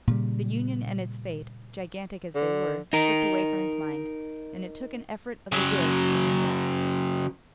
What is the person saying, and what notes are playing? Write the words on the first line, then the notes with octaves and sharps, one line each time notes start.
The Union and its fate, gigantic as they were, slipped away from his mind, and it took an effort of the will to bring them back.
A#2 C#3 G3
D3
D#4 A#4
C#3 F#3